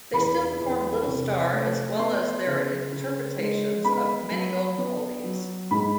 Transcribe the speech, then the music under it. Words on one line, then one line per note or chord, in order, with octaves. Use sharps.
They still perform "Little Star", as well as their interpretations of many golden oldies.
E2 B5
E2
C3
A3
B3 C6
C#3
C#3
G#3
B3 B5
F#3
B3
F#3
G#2 B5